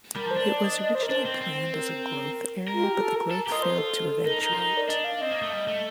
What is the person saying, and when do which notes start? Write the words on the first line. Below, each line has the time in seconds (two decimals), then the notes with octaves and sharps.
It was originally planned as a growth area, but the growth failed to eventuate.
0.16 G3 A#4
0.26 F3
0.31 C5
0.36 D4
0.47 D5
0.63 D#5
0.78 D#5
0.95 C5
1.03 A#4
1.10 D4 C5
1.26 C4
1.42 C4
1.74 A#4
2.68 F4 A#4
2.84 G4
2.95 G4
3.00 A4
3.16 A#4
3.31 A4 A#4
3.41 A#4
3.47 G4
3.52 F4 D#5
3.63 C5
3.78 A4
4.26 D#4 A#4
4.42 D#4
4.52 F4
4.57 D#4
4.77 D5
4.88 D4 D#5
5.04 F5
5.21 C4 D#5
5.31 A#3
5.42 A3
5.52 G3
5.68 A3